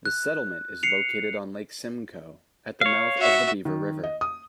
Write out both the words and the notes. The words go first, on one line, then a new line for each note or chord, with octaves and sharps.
The settlement is located on Lake Simcoe at the mouth of the Beaver River.
F#6
C7 C#7 F7
C#5 F5
F#4 E5
D#3
D#5
D#6